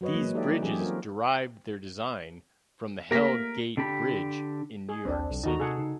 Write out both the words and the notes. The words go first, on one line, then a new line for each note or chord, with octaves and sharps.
These bridges derived their design from the Hell Gate Bridge in New York City.
F#3 F#4 B4 C#5 D#5
E3 G#3 A#3
D#4 G4 A4 C#5 D5 E5
G3
E3 F#3 C#4 G4 G#4
C4 F4 F#4 A#4
A3 A#3 G4 A#4 A#6 B6
D3 D4 G4 B5
G#4
A#1 D#2 C4 D4
B1
D#2 D#3 D#4 F#4 A4 A#5
C3 G#4 A4 F#5
C#3 D#4